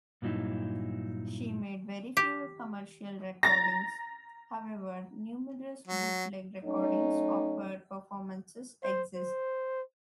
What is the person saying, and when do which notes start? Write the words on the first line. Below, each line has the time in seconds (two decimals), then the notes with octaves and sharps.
She made very few commercial recordings; however, numerous bootleg recordings of her performances exist.
0.22 G2 A#2 F#3 D#4 E4
2.17 G4
3.43 A#5 A6 A#6
5.87 F#3
6.64 F#3 A3 C#4 D#4
8.83 C5
9.16 C5